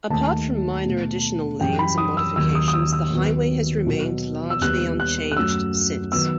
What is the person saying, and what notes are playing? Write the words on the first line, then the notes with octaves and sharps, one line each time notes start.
Apart from minor additional lanes and modifications, the highway has remained largely unchanged since.
D#2 D#3 A3 A5
B2 A3
F#2 E3 G3 G5
B5
D#6
E6
D#2 D#3 F#3 E6
D#6
D#6
E6
E6
D#2 D#3 F#3 B3
B2 F#3 B3
E6
D#2 D#3 G3 B3 F#6
F#6
F#6
F#2 F#3 A3 E6
D#3 F#3 B3 E6